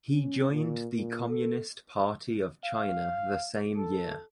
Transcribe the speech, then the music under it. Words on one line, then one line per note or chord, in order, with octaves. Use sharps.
He joined the Communist Party of China the same year.
C#4
A#2
A#2
A4
F5
A4